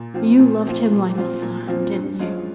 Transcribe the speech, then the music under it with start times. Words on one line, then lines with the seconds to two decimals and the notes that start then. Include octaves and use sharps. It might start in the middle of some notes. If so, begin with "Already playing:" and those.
You loved him like a son; didn't you?
Already playing: A#2
0.14 F3 C4 F4
0.39 A#2
0.66 F3 C4 F4
0.91 A#2
1.17 F3 C4 F4
1.42 A#2
1.67 F3 C4 F4
1.93 G2
2.19 F3 G#3 C#4 F4